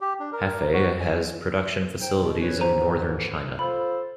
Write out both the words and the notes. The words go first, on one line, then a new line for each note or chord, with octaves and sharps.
Hafei has production facilities in Northern China.
G4
D4
A#4
F#4
G#5
D#4 C5 G5
B2
C#4 B4 C#5
G#2 D3 E3 C5 A#5 D#7
F4 A4 C5 B5